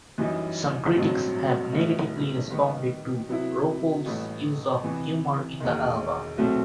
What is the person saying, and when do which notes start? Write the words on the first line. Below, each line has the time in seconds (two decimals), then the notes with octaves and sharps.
Some critics have negatively responded to RuPaul's use of humor in the album.
0.18 F#2 E3 G3 D#4
0.96 A1 G2 F#3 C4
1.73 B1 A2 G3 B3 E4
2.50 D#3 G3 B3
3.29 C3 F#3 B3 E4
4.06 A1 A2 G3 B3
4.83 C3 E3 B3
5.60 E1 D#2 D#3
6.38 C2 B2 F#3 A3 C4